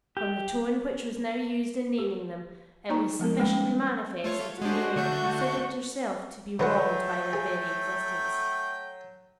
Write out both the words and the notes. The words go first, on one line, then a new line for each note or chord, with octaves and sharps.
From the tone which was now used in naming them, it was sufficiently manifest that Amelia considered herself to be wronged by their very existence.
G4
G4
A#3 D#4 A#5 C#6
F3 G#3 B3 A#4
G3 G#3 A#3 C#4 B4 G5
A3 F4 C#5
G#3 C#4 D4 F#4 G4 C5
D3 A3 D4 C#6 G6
D3 F#3 A3 B4 F#5 G5
G#4